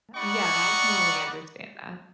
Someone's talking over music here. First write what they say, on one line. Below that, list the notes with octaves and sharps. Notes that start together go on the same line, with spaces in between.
Yea Yeah I totally understand that.
G3 D#4 D5 F#5 B5 C#6